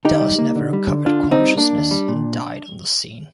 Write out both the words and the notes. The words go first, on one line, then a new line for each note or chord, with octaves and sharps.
Dallas never recovered consciousness and died on the scene.
D3 D#4 G4
G3
A#3
D3
G3
D3
D3 D4 F4
D3
C4 D#4
G3
A#3 D4
D#2
G3
A#2